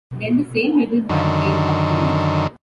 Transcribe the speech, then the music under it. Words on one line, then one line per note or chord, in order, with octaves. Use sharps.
Then the same little man came up the room.
F#2 D3 D#3